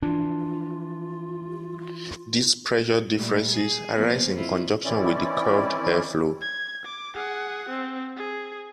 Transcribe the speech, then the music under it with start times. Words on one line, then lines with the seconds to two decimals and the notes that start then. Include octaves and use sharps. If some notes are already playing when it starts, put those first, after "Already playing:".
These pressure differences arise in conjunction with the curved air flow.
0.02 E3 F3 D4 F4
3.16 A#2 G3 A3
3.53 G#4
3.95 F3 A#3 B3
4.36 F2 E4 F4
4.84 D#3 E3 C4 C#4 E4 D5
6.41 G#6
6.85 D6
7.15 G#4 F#5
7.69 C4
8.17 G#4